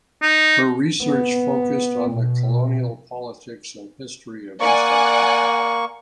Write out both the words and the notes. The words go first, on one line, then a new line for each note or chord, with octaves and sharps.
Her research focused on the colonial politics and history of East Africa.
D#4
B3
B2
A#3 D5 F#5 G#5 C#6